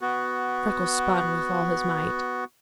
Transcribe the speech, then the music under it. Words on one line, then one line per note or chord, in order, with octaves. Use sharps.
Freckles spun with all his might.
B3 F#4